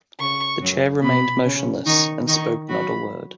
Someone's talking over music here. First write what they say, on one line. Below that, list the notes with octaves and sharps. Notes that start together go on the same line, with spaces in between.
The chair remained motionless, and spoke not a word.
C#3 C#6
F#2 F#3
B2 B3 B5
C#3 C#4
D#3 D#4 C#6
D#3 D#4 C#6
F#3 F#4 B5